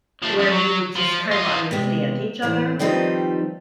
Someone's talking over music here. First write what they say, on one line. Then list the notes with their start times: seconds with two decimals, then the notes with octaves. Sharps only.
Where you would just kind of understand each other?
0.23 F3 A3
0.39 F#2 G#3
0.51 F#3
0.96 F3
1.31 F4 D#5
1.71 C3 G#3 B3
2.42 A2 E3 C5 F#5
2.79 D#3 F3 G3 C4 D#4 B4